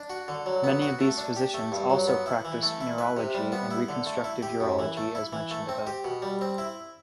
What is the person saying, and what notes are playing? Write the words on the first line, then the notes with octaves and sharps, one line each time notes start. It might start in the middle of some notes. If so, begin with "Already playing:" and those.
Many of these physicians also practice neurourology and reconstructive urology as mentioned above.
Already playing: D4
F#4
D3
F#3
B3
F#4
A3
D4
G4
A3
G2
F#3
B3
E4
E3
A3
E4
B4
C3
G3
B3
E4
D3
A3
E4
G4
F#2
E3
A3
E4
E3
A3
C4
G4
B2
G3
C4
E4